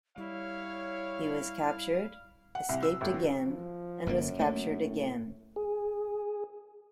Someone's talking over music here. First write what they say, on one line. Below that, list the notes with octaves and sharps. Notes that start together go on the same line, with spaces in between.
He was captured, escaped again and was captured again.
G3 E4 C#5 F5
F#5
C2
E6
G1
F#3
F3
G1 F#2 D3 A#3
A3 A#3 C#4
A2
G#4